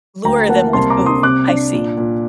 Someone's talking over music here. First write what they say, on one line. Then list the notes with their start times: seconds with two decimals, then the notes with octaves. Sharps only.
Lure them with food, I see.
0.24 D2 G5 A#5
0.49 A#3 F#5 A5
0.73 C2 A5 C6
0.90 A#5 D6
0.99 C2
1.06 C6 D#6
1.23 C3 D6 F#6
1.48 D4
1.73 A#2
1.97 A#2